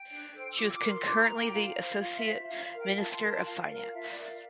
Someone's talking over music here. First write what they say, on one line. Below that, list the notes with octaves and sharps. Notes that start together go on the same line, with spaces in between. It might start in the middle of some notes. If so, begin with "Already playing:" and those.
She was concurrently the associate minister of finance.
Already playing: G5
D4
A4 C5
E6
F4 D6
E6
D6
A#4
C6
F4 D6
A#5
A#4
G5
F4 F5
C5
F4 F5
E5
C5
F4 F5
F5
A#4
G5
F4 A5
C6
A#4
A5
F4 F5
F5
A#4
F5
F4 E5
D5
A#4
F5